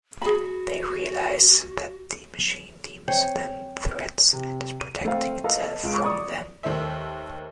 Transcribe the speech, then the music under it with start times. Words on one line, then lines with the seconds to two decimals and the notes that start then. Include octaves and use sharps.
They realize that the Machine deems them threats and is protecting itself from them.
0.22 F#4 G#4 B5
3.08 C4 C5 C#5 G5 G#5
4.33 C3
4.80 D#7
5.05 A3 C4 F5
5.44 A4 B4 D#5 F5 A5
5.83 C#2 F5 D7
6.03 D5 C#6 D#6
6.63 D#2 D#3 A3 C5 E5